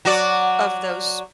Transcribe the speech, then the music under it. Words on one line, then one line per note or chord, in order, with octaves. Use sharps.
of those
F#3 F#4 D5